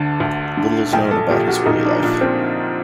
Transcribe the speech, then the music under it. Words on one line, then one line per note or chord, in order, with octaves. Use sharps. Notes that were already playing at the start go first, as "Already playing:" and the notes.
Little is known about his early life.
Already playing: D2 D3 A5
D2
D3
A#1 G5
A4
A#2 G4
F#4
A#1 D#4
D4
A#2 D4
C4